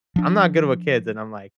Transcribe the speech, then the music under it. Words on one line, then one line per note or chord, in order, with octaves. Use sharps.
I'm not good with kids," and I'm like
F3 D4